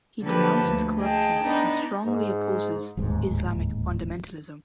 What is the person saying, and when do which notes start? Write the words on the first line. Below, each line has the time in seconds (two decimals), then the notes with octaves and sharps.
He denounces corruption and strongly opposes Islamic fundamentalism.
0.23 D3 F3 A#3 G4 A4 B4
0.65 D2
0.99 G#4 D#5 G5 A5
1.43 B3 D4 D#4
2.06 G#2
2.97 D1 D#2 G#2